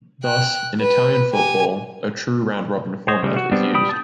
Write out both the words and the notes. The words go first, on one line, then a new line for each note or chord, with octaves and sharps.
Thus, in Italian football a true round-robin format is used.
G5 F#6
B4
G4 G#5
C5 C#5 D#5
C#3 G3 A3
F#4
G3 B3 C4 D4
G3 G5 B5 D#6
A5 D#6 G6